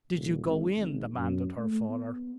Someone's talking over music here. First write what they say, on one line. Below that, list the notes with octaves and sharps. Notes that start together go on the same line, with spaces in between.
"Did you go in?" demanded her father.
D#1
G#1
G#1
F#2
A3
B3